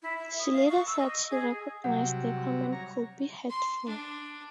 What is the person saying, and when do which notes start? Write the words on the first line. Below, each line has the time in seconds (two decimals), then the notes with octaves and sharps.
She later said she recognized the comment could be hurtful.
0.02 E4
0.18 E5
0.39 D#6
0.53 F5
0.69 C#6
0.87 E6
1.00 D#5
1.31 G#4
1.84 C3 F#3 G3 F#5
2.72 C#5 A#5
3.49 C6
3.86 D4